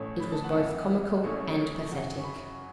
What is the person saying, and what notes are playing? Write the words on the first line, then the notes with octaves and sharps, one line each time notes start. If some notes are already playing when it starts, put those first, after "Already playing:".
It was both comical and pathetic.
Already playing: A1 A2 A3 C#4
B5
A5
F#5
F#2 E3 B3 E5
A1 A2 A3 C#4 C#6
F#2 C#3 F#3
C#6
B5